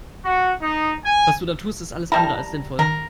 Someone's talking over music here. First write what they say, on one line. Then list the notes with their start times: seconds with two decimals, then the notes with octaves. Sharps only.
Was du da tust ist alles andere als sinnvoll.
0.25 F#4
0.62 D#4
1.04 G#5
2.12 G3 E4 A#4 A5
2.79 D#3 A#4